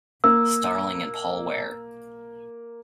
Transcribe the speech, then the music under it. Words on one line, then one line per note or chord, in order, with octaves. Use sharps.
Starling and Paul Ware.
A#3 E6